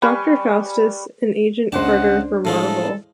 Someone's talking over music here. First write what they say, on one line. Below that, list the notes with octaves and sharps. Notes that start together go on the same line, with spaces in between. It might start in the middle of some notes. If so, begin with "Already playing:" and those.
Doctor Faustus, in "Agent Carter" for Marvel.
G3 B4 G#5 C#6
C#2 C#4 D4 C5 D#5 F#5 A5
A2 F3 G#3 A4